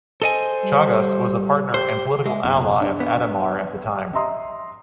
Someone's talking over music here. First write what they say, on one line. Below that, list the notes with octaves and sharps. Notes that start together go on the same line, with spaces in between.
Chagas was a partner and political ally of Ademar at the time.
A4 C5 D#5 G#5
G3
G4 C5
G#3 E5
F#1 B2
D4
B3
D#5 E5 A#5 C6 D#6